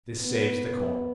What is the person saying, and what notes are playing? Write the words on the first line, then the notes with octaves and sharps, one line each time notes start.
This saves the corn.
B3